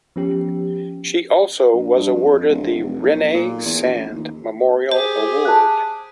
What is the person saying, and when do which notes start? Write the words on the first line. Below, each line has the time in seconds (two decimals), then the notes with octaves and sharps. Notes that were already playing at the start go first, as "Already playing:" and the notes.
She also was awarded the "Rene Sand Memorial Award".
0.16 F3 B3 C#4 G4
1.74 A#1
1.96 G2
2.15 F2
2.49 D1
2.76 F1
3.02 B1
3.34 A#2
3.66 E2
3.82 A#1
3.96 A1
4.12 D#2
4.91 G4 G#4 C5
5.45 A5 F#6